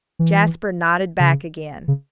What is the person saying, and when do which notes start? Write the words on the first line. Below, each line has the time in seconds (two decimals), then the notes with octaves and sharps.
Jasper nodded back again.
0.19 E3
1.20 C#3
1.88 C#3